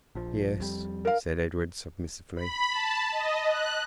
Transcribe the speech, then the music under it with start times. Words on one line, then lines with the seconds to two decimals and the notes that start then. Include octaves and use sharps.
"Yes," said Edred submissively.
0.15 A#1 F3
0.60 F2 G3
1.05 A#4 F5
2.36 B5
2.70 A5
3.12 D#5
3.44 F#6